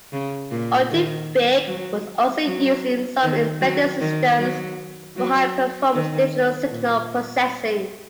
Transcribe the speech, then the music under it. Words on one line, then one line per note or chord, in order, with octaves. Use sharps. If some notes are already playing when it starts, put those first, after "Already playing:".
AltiVec was also used in some embedded systems for high-performance digital signal processing.
C#3
A#2
D#3
F#3
F#3
D#3
F#3
D#3
F#3
F#3
D#3
A#2